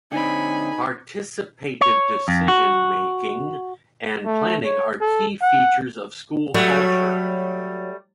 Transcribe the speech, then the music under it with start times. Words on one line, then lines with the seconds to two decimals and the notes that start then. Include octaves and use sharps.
Participative decision making and planning are key features of school culture.
0.12 D3 C4 D#4 G#5 B5
1.81 C#5
2.28 F2
2.48 F#4
4.25 A3
4.64 C#5
5.01 A4
5.42 F#5
6.54 F#3 G3 A3